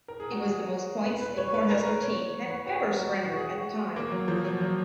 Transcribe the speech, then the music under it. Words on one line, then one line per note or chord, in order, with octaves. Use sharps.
It was the most points a Cornhusker team had ever surrendered at the time.
A#4
G#4
F#4
G#4
B4
B4
C#5
C#5
B4
A#4
B4
C#5
C#5
B4
F#4
B4
A#4
F#4
F#4
G#4
F#4
A#3
F#3
F3
F#3
F#3